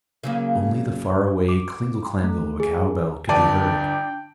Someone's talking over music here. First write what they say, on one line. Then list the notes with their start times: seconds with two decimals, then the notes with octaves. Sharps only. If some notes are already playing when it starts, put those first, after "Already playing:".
Only the far away klingle-klangle of a cow-bell could be heard.
0.23 C#3 F#3 A#3
1.49 D6
2.24 A3
2.60 G#4
3.29 G1 D4 D5 G5 A5